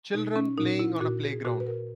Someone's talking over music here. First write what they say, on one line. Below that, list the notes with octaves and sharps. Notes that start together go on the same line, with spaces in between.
Children playing on a playground.
B2 D#4
C#4
A#2 D#4
E4
A#2 F#4
G#4
A#2 F#4
B4
A#4